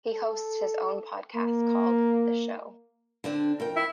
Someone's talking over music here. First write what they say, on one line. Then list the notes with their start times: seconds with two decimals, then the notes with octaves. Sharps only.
He hosts his own podcast called "The Show".
0.13 A4
1.35 A#3
3.24 D3 C4 D4
3.60 F2 A#4 G5
3.76 E4